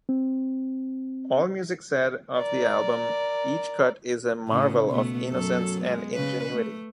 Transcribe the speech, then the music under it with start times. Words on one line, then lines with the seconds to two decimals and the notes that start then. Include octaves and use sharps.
Allmusic said of the album each cut is a marvel of innocence and ingenuity.
0.09 C4
2.37 A#4 D5
4.48 A2 C#3
4.90 B2 A3 B3
5.30 F#2 F#3 A4
5.81 G#3 B3
6.14 C#3 B4
6.53 A3